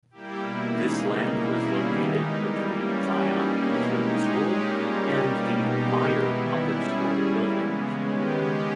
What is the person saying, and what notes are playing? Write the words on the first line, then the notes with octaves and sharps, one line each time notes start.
This land was located between Zion Lutheran School, and the Mayer Public School buildings.
G3 A#3 E4 G4
B2 A#3 E4
C#3 E3 G#3 D#4 G#4
G3 A#3 D#4
B2 A#3 E4
C#3 G3 A#3 E4 G#4
D#3 G3 B3 D#4
G#3 D#4 G4
E3 G3 A#3
G3 A#3 C#4
E3 G3 C#4 G4
G3 A#3 D#4 G#4
B2 A#3 C#4 E4
G#3 D#4 G4
G#3 D#4 G#4
A#2 G#3 C#4 G4
A#2 G3 A#3 D#4
G3 C#4 G4
B2 G3 A#3
B2 G#3 D#4 G4
E3 A#3 D#4 G4
B2 G#3 B3 E4
D#3 G3 B3 E4
G3 C#4 E4 G#4
G3 C#4 G#4
G3 A#3 E4
C#3 E3 G#3 B3
C#3 G#3 C#4
D#3 G#3 B3 G4
G#3 C#4 G4